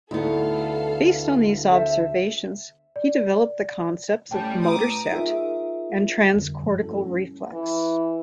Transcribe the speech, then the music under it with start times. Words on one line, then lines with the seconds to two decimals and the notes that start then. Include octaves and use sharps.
Based on these observations, he developed the concepts of "motor set" and "transcortical reflex".
0.11 D2 B3 D#4 E4 A4 F5
1.71 A4 C5 E5
2.96 D5
4.31 A2 G3 C#4 G5 A5
4.65 B4 A#5 D6 D#6
5.11 D#4 F4 G#4 A#4 E5
6.35 F2 D3 G3
6.63 G2 F3
6.82 G3 A3 C#4 E4 F#4 A4
7.08 C#4
7.53 E3